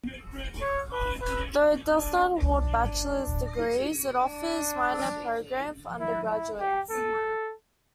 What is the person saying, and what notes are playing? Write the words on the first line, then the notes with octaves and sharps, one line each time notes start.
Though it does not award bachelor's degrees, it offers a minor program for undergraduates.
C#5
B4
B4
D4
D4
D4
E4
E4
G4
A4